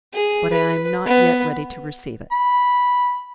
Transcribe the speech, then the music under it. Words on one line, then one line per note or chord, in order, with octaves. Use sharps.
"But I am not yet ready to receive it."
G#4
B4
B3
B5